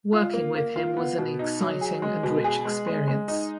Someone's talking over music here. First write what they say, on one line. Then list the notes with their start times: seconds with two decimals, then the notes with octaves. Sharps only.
Working with him was an exciting and rich experience.
0.13 F4
0.34 A#3
0.55 A#3
0.76 F4
0.97 B3
1.18 B2
1.39 D#4
1.61 F#3
1.81 G#4
2.02 G#3
2.23 B2
2.44 G#4
2.65 G#3
2.87 G#3
3.08 G#3
3.28 D#4